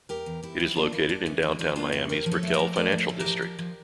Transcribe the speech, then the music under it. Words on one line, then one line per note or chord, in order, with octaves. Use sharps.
It is located in Downtown Miami's Brickell Financial District.
E2 G4 A#4
E2
E2 E4 G4
F3
A#3 D4 F4
A#3 C#4 E4
A#3 D4
E3 C#4
E3 D4
F2 D4 F4
A#3 D4 F4
F2 E4 G4
A2 G4 A#4
F3
A4 C#5
A3 E5
A#4 D5
F3
A3 A#4 D5
F3
A4 C#5
A2
G4 A#4
F3
F3
F3